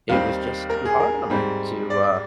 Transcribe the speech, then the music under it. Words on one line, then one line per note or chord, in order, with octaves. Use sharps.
it was just too hard on her to, uh,
D#2 D#3 G3 C4 F5
A#4
G#4
A#4
G#2 G3 C4
D5